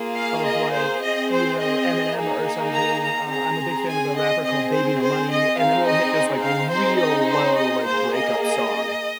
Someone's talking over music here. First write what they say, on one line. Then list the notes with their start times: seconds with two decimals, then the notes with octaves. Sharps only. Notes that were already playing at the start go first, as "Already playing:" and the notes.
of, like, you know, Eminem or something, uh, I'm a big fan of a rapper called Baby No Money, and then we'll hit this, like, real low, like, breakup song.
Already playing: A#3 F4 G#4
0.16 F5
0.45 D#5
0.73 C5
1.02 C4 G#4 D#5
1.30 C5
1.59 D#5
2.15 A#3 D#4 G#4
2.73 A#5
3.02 A#5
3.29 C4 G#4 A#5
3.87 G#5
4.15 D#5
4.43 C4 G#4 D#5
4.72 C5
5.01 C5
5.29 D#5
5.58 C4 D#4 G#4 F5
5.86 D#5
6.43 F5
6.71 C4 D#4 G#4 C5
6.99 D#5
7.29 C5
7.56 D#5
7.86 A#3 G#4 C5
8.14 D#5
8.42 D#5